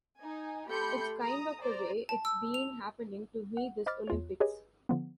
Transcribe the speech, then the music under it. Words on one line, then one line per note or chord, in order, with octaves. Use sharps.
It's kind of the way it's been happening to me this Olympics.
D#4 G#5
A3 G4 B5 C6 G6 C#7
A#5 D#6
C5 D5 A#5
A5
E6
F7
F#5
C5 D#5 B5 D6 F6 A6
E2 F4 C#5
G4 G#4 B4 C#5 D#5 G#5
D3 F3 B3